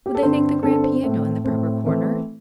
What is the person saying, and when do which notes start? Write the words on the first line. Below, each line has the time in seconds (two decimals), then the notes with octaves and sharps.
Would they think the grand piano in the proper corner?
0.06 G4
0.15 A4
0.22 G2 D3 C4 C5
0.63 G2 D3 C4 A4
0.83 C5
1.03 A2 A3 C4
1.44 A2 A3 C4
1.86 E3 A3 C4